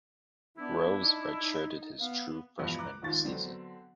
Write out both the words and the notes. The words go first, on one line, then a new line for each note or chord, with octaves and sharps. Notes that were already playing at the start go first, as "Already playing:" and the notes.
Groves redshirted his true freshman season.
B3 D4 E4
D#4
B3 F5
E2 G2 B2 E3 F3
A#5 D6 F#6
A#1 D#2 D#3 F4 C#6 A6
D3 F#3 B3 C4 D4